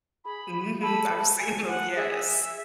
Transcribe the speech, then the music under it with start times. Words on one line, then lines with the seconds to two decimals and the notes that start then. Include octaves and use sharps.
Mhm, I've seen them, yes.
0.25 G#4 B5
0.82 A4 B5
1.39 G#5
1.68 F#5
1.96 G#4 E5